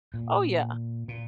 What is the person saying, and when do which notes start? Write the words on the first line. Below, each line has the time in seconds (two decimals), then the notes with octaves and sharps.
oh yeah!
0.14 A#2
1.08 A#2